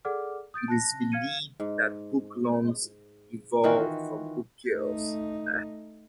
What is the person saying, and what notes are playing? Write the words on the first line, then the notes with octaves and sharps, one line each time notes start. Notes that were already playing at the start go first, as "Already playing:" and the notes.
It is believed that book lungs evolved from book gills.
G#4 A4 D5 F#5 D6 F6
D#6 G6 A6 D7
A5 F#6 A#6
F5 F6 G#6 C#7 D#7
G#2
D#3 E3 F4 F#4
A3 D#4